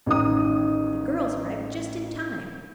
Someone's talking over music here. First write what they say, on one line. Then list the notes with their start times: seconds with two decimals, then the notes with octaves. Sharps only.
The girls arrived just in time.
0.06 A1 D#3 D#6